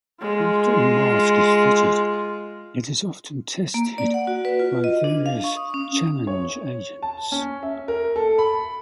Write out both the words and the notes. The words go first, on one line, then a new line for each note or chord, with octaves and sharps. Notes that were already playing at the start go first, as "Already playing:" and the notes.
After a mask is fitted, it is often tested by various challenge agents.
G#3 F4
A#3
D5
F#5
F#4
B4
F4
D#5
D4
F5
C#6
D#6
C#4
C#5
A5
C#4
E5
A#4
A4
B5